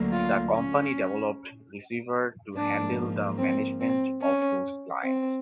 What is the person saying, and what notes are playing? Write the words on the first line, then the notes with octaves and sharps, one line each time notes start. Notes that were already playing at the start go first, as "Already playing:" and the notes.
The company developed Receiver to handle the management of those clients.
Already playing: D2 D3 F#3 A#3
F4
C#4
G#2 F3 A#3 D4
C4
C4
C#4
C4